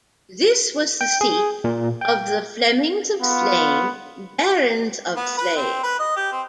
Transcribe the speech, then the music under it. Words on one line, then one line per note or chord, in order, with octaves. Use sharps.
This was the seat of the Flemings of Slane, barons of Slane.
G5
G#4
A#2
G5
B3 F4
B3
B4
C4
B4
D#5
G4
C4